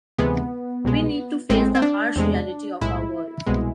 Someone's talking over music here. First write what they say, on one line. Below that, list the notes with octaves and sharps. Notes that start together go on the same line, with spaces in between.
We need to face the harsh reality of our world.
D2 C3 E3 G#3 B3
C2 B2 G#3
A1 A2 G#3 C4
C4
D4
E2 C3 G#3
B1 A2 G#3 E4
C2 B2 G#3